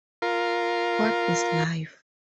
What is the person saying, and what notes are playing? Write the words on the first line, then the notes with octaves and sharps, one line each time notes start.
What Is Life?
F4 A#4